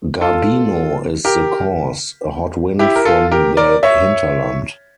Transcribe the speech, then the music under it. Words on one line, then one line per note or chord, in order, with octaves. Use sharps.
Garbino is the cause, a hot wind from the hinterland.
F4 A4
G4 A#4
E4 G4
A#4
F4 A4
G4 A#4
A#4 D5
C#5 E5